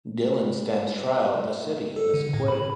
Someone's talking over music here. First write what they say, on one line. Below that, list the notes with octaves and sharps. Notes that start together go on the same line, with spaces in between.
Dylan stands trial in the city and is acquitted.
A4
D3
A2
B5